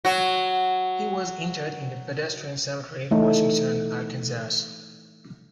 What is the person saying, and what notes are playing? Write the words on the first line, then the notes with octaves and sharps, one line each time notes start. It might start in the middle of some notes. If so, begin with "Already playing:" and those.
He was interred in the Presbyterian Cemetery, Washington, Arkansas.
F#3 F#4
E3 A3 D#4